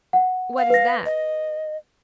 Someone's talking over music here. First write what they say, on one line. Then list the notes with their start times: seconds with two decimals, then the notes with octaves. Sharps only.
"What is that?"
0.13 F#5
0.58 F5
0.70 B4 A#6
1.06 D#5